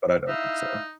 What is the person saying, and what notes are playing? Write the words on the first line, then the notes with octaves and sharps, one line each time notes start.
but I don't think so.
D#4 E4 E5 F5